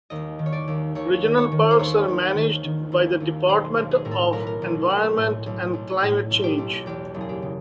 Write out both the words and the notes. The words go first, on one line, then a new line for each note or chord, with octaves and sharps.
Regional Parks are managed by the Department of Environment and Climate Change.
D#2 D#5
D#3
C#5
D5
D#2
D#2 C#5
D#3
C#5
D#3
C5
D#2 C#5
D#2
D#3
D#3
D#2
D#2
B1 C5
B1
G#4
A2 A#4
A4
B1 A#4
B4
A#4
B1
B1
A2
B1
B1
A2
B1
G4
B1
E2 G4
F#1
G#4
G4
C#3